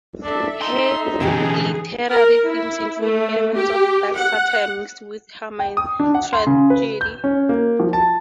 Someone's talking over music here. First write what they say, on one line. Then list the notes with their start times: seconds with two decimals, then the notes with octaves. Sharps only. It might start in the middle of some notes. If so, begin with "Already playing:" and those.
Her literary themes include elements of dark satire mixed with humour and tragedy.
0.24 D4 A4 E5
0.62 D#4 C6
1.20 B2 D3 E3 C#4 G4 G#4
2.09 A#4
2.46 E4
3.03 A3
3.57 G4
4.18 F#5
5.59 G5
5.77 D#6
6.00 D4
6.15 F#5
6.33 C6
6.47 C#3
6.70 B4
7.01 G6
7.24 C#4
7.49 A#3
7.80 F3
7.93 A5